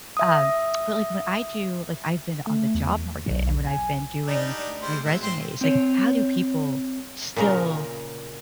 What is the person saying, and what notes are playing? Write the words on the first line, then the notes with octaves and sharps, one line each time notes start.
um, but, like, when I do like, I've been on the job market, and when I've been doing my resumes, like, how do people still
E5 D#6
A3
E2
B1
G#5
G3 D4 D#4 D5
D2
G3 G#3 C5
G#3 C4 F#4 E5
G#2 C4 C5 C6
C4 C#5
A#2 C#3 A#4